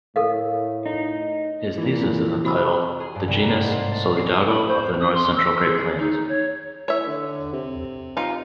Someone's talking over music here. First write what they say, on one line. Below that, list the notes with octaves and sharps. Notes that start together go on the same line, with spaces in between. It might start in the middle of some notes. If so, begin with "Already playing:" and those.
His thesis is entitled "The genus "Solidago" of the north central Great Plains".
A2 A4 A#4 F5
D#4
A#2 E3
C3 F#4 B5 E6
G#4
G2
C2
A#5
G#2
C5
A4
C#4
C7
B5
C5
D#6
C6
E6
G#4
D#4
C#5
A2 C#5 E5
D3
C3
D#4 F4